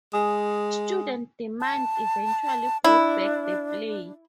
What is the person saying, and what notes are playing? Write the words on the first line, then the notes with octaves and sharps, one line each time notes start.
Student demand eventually brought back the play.
G#3 G#5 D#6
A5
D4 E4